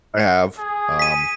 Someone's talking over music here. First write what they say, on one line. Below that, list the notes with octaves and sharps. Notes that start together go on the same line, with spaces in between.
I have, um,
G#4
B6 D#7